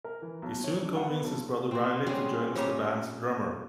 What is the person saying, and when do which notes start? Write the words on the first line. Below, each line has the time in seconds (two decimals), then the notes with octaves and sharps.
He soon convinced his brother Riley to join as the band's drummer.
0.04 A#4
0.22 E3
0.42 B1
0.64 C#5
0.82 D4
0.97 F#5
1.08 B3
1.23 B1
1.71 C4 F#4
2.07 G3 G#3 C4 C#4 G#4
2.55 A#2 G3 A#3 C#4 C#5 D#5